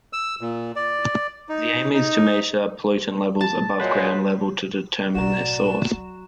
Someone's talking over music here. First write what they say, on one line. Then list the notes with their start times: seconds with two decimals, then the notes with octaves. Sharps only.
The aim is to measure pollutant levels above ground level to determine their source.
0.13 E6
0.41 A#2
0.76 D5
1.49 D#4
1.93 D#4
3.41 A5
3.80 A#2 F#3 G#3 B4 C5
5.15 B1 A2 F#4 D5 A#5 E7
5.94 F#3